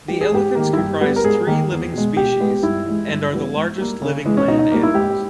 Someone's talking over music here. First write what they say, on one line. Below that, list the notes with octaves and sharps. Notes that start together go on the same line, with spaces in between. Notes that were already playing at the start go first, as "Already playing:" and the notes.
The elephants comprise three living species and are the largest living land animals.
E3 G3 G4
G#4
G#2 G4
D#3 A#3
E4
G2 G4
G3 B3
A#4
G#2 G#4
D#3 A#3
E2
B2 G#3
B2 G4
G#3 B3
G2 E4
E3 G#3
G2
E3 G3 B3
G#2
G3 A#3
C#3
E3 G#3
C#4
B2 D#4
D#4
G3 A#3
E4
G#2 G4